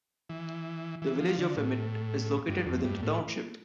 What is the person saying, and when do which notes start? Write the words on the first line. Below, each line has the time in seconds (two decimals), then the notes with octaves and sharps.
The village of Emmett is located within the township.
0.29 E3
1.02 E3
1.20 F3
1.39 D3
1.57 A2
2.48 G2
2.66 F2
2.84 G2
3.03 A2